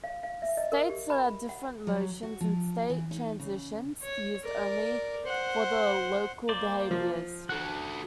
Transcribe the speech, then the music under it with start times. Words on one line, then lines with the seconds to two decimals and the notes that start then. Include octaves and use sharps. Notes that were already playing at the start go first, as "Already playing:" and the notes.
States are the different motions and state transitions used only for the local behaviors.
0.04 F5
0.23 F5
0.42 E5
0.57 D#5
0.72 A#4
0.89 G4
1.10 B5
1.49 F#5
1.87 F#3
2.23 F#4
2.41 F3
2.90 E3
3.11 D#4
3.40 C#3
4.01 C#5
4.43 A#4 D5
5.25 C5 F#5
6.49 A#3 C5 D5
6.91 F3
7.49 F#4 A4 F#6